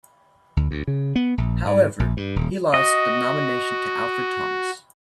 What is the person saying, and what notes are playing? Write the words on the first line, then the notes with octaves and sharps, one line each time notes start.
However, he lost the nomination to Alfred Thomas.
D2
D2
C#3
B3
A#1
G#2
A#1
G2
D#1
F#4 D#5